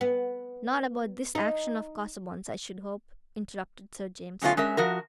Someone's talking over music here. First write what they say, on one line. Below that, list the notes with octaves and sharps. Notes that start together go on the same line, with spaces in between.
"Not about this action of Casaubon's, I should hope," interrupted Sir James.
B3
D#4
F#2 B2 D3 A3 C#4 F4
G#3 C#4 A#4 E5
F3 F#4 A#4